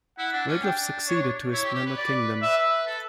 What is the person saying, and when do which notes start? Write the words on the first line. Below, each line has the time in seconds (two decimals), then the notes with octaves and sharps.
Wiglaf succeeded to his splendid kingdom.
0.18 E4 F#5
0.33 D4
0.48 C#4
0.63 D4 G5
1.08 C#5
1.52 E4 C#5
1.63 G4
1.74 G4
1.86 B4
1.98 D5
2.42 B4 E5
2.87 A4